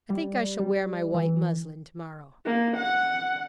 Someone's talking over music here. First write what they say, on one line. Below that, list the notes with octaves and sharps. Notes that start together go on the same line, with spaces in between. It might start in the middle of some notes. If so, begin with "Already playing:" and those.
I think I shall wear my white muslin tomorrow.
G3
G3
E3
A#3
F#5